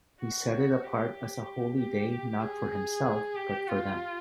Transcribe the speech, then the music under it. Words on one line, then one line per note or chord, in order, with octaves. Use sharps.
He set it apart as a holy day not for Himself, but for them.
F#4
G4
G4
G#4
G4
F4